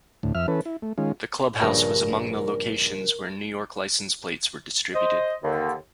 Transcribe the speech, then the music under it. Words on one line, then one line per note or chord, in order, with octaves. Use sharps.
The clubhouse was among the locations where New York license plates were distributed.
D2 A2
F2 E5 F6
E3 C#4 A4 B4
E4
A3
D#3 G#3 C#4 F4
A#1 G2 C#3 A#4
C5 D#5
D#2 D3